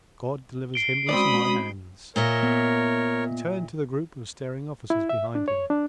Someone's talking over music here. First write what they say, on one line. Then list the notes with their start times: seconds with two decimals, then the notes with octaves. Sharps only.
"God delivers him into my hands!" He turned to the group of staring officers behind him.
0.74 C7 D7 G7
1.09 G#3 C4 C#4 F#4 D5 B5 D#6
2.16 A#2 A#4 C#5 D#5 E5
2.43 B3
4.90 E4
5.09 E5
5.35 D4
5.48 C#5
5.70 D4